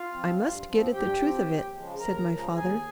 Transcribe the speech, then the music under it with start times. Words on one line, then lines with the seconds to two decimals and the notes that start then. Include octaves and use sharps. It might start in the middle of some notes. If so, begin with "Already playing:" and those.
"I must get at the truth of it," said my father.
Already playing: F4 F5
0.12 F3 C4
0.39 G2
0.67 F3 C4
0.93 G2 G4 G5
1.20 F3 C4
1.46 D#2
1.73 C#3 F3 G#3
2.00 D#2 A#4 A#5
2.26 C#3 F3 G#3
2.54 D#2 G#4 G#5